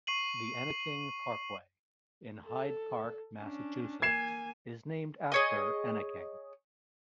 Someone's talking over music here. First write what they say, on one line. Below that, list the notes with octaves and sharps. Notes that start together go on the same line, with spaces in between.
The Enneking Parkway in Hyde Park, Massachusetts is named after Enneking.
C#6 C7 D#7 F#7
A4
C#4 D4
A#3 G#5 G#6 C7 E7
G#4 C#5 D#5